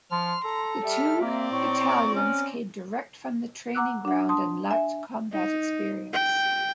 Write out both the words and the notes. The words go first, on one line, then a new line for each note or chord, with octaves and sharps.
The two battalions came direct from the training ground and lacked combat experience.
F3 C6 F6
A4 A#5
G3 E5 F6
A#3 C4 D5 A#5
A2 C#6
C#4 F6
F#5 A#5 D6 E6 F#6
D4 F#5
A5 C6 D#6
E5 G#5
D#4
G5